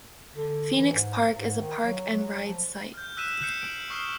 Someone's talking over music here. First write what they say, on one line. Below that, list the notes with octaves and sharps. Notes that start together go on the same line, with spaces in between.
Phoenix Park is a Park and Ride site.
D3
E3
G#2
G#2
D#3
F#3
F#3
F3
F6 G6
E6 F#6 B6 D#7 E7
E6 F#6 G6 C7 C#7
D7 F#7
C#6 D#6 F6 C7 E7 G7